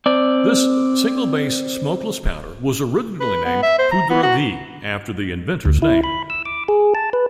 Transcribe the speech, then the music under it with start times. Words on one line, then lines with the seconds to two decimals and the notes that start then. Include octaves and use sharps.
This single-base smokeless powder was originally named "Poudre V" after the inventor's name.
0.06 C4 D5
3.20 B4
3.44 B3
3.63 E5
3.79 C5
3.91 A#5
4.10 B3
4.23 F#4
5.66 D2
5.82 E4
6.04 B5
6.30 E6
6.45 D6
6.68 G#4
6.95 A5
7.13 B4